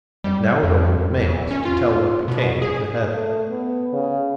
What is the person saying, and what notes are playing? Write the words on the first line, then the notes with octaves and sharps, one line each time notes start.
And now it only remains to tell what became of the head.
G3
F2
E2
C#4
F4
B2
G#4
A3
B3
C#3